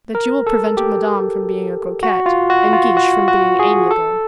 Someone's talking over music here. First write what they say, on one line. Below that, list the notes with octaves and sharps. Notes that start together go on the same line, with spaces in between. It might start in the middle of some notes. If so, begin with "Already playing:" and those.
"That you will prevent Madame from being a coquette and Guiche from being amiable."
A#4
A4
G4
F#4
F4
F#4
F4
F#4
F#4
G#4
A4